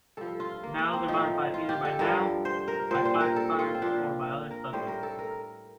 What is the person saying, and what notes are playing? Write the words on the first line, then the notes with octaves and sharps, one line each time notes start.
Nouns are modified either by nouns, by classifiers, or by other suffixes.
G2 F3 A4
F4
A#3
A#3
C4
A2 F3 D#4
F4
G4
A4
G2 D3 F3 A#4
C5
A#4
A#2 G3 C5
C5
A#4
A4
F4
C4
A#2 F3 D4
A#4
A2 G3 C5
A#4
A4
A#4